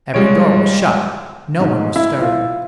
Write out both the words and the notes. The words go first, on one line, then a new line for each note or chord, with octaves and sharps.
Every door was shut, no one was stirring.
G3 G#3 F4 C#5 D7
G#2
E4
F4